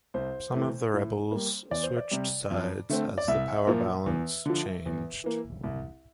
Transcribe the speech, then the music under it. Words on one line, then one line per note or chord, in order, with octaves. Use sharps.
Some of the rebels switched sides as the power balance changed.
C2 C5
C3 E3 A3
A2
G3 A#3
E2 D5
C5
D5
C3 G3
F2
D3 A3 C4
D5
C2 E5
A#2 F3 A#3
E2
D3 F3
E2
E3 A#3
C2